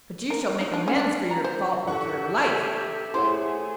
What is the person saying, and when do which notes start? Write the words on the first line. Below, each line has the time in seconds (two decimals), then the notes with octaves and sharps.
But you shall make amends for your fault with your life.
0.30 A#4
0.61 D#4
0.74 D4
0.88 C#4
1.00 D4
1.31 A#5
1.44 C5
1.87 D4 G4 A4 E5 F#5 C#6
3.14 A3 E4 G#4 C5 C#5 F#5